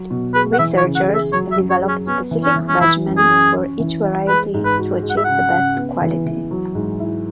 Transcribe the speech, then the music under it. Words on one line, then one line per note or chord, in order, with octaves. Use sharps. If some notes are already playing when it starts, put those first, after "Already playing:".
Researchers develop specific regimens for each variety to achieve the best quality.
Already playing: F#3
B2
G#4 B4
F#5
E3 E5
C#5
C#3
F#5
G#4
E5
F#3 C#5
E5
F#2
C#5
G#4
C#4
B3 C#4
E3
C#4
E3
C#4
E3 E4
F#2
G#4
C#4
C#4
E3
E3
G#3 B4
G#2
B4
F#4
G#3
F#5
E5
C#3 F#5
C#3
B3
E3
E3
F#3
G#2
E4